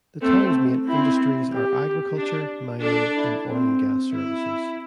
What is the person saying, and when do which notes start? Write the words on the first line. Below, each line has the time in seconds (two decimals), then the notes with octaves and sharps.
The town's main industries are agriculture, mining and oil and gas services.
0.22 A3 C4
0.87 C4 E4
1.52 G4
2.17 D4
2.82 D4 A4
3.15 E4
3.48 C4
4.12 E4